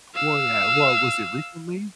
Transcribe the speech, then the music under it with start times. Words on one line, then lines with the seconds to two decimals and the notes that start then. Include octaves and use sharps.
Well, yeah. Well, was it recently?
0.15 F5 E6